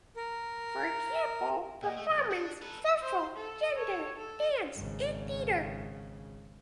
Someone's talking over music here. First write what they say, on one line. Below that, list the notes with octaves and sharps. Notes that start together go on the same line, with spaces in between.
For example: performance, social, gender, dance, and theater.
A#4
A#2 D#5 F#5 G5
A3
B1
D4
A4 B4
C5
A4
A4 C#5
A4
G#1 C#3